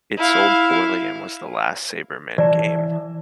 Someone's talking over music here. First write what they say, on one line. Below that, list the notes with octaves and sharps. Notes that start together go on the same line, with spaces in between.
It sold poorly and was the last Sabreman game.
E4 F5
E3 D5 A5